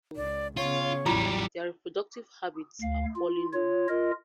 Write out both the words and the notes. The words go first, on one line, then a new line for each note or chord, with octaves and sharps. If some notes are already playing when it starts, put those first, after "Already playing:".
Their reproductive habits are poorly known.
C#2 D5
C#3 B3 F4 C#5
A1 E2 F#3 G3 E4 F4 D6
D2 F5
F4
F4 C#5
F4 A#4 D#5